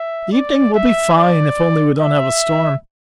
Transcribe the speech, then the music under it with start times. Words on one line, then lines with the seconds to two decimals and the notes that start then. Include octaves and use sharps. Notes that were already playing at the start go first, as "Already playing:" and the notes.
The evening will be fine, if only we don't have a storm.
Already playing: E5
0.33 D5
0.74 E5
1.16 D5
2.00 E5